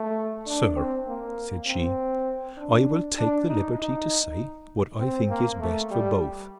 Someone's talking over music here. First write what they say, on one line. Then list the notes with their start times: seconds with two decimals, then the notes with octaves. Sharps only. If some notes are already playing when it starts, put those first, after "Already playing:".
Sir, said she, I will take the liberty to say, what I think is best for both.
Already playing: A3
0.47 D4
0.76 C4
1.07 A#3
1.67 C4
2.57 D4
3.18 D4
3.49 D#4
3.79 D#4
4.99 C4
5.30 A#3
5.60 A3
5.91 G3